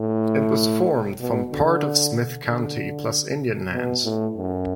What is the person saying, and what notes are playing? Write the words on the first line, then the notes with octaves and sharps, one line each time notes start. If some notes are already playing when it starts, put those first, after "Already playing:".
It was formed from part of Smith County plus Indian lands.
Already playing: A2
B2
D3
D3
B2
A2
F#2